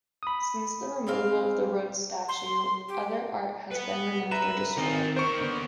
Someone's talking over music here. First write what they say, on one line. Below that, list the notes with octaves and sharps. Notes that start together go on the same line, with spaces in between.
Since the removal of the Rhodes statue, other art has been removed or destroyed.
B5 D#6
G#3 C4 F5
C6
G4
B4 F#5
B4 E5 A#5 E7
D#3 C4 A#4 D#5 G#5
D#2 A#4 C5 C#6
D3 B3